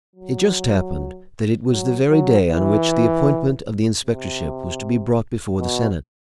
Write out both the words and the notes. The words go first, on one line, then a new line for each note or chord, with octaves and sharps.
It just happened that it was the very day on which the appointment of the inspectorship was to be brought before the senate.
F#3
F#3
F#3
E3
C3
B2